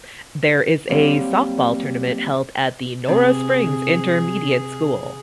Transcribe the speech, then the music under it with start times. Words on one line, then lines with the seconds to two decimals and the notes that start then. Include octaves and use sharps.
There is a Softball Tournament held at the Nora Springs Intermediate School.
0.89 F#3 G3 A#3 C4
3.08 C3 G#4